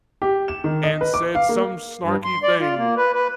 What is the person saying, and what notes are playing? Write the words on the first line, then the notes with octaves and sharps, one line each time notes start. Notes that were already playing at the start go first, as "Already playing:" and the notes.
And said some snarky thing,
G4
E7
D#3
D#5
B4
D6
F5
A#3
G2
C6
D5
F4
A#3
B4
B4